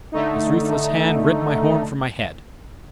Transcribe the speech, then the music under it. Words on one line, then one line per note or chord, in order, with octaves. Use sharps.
His ruthless hand rent my horn from my head.
D3 A3 D#4